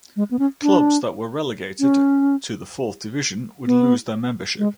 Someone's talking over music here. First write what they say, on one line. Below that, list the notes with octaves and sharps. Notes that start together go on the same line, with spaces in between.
Clubs that were relegated to the fourth division would lose their membership.
G#3
B3
C#4
D4
C#4
B3
G#3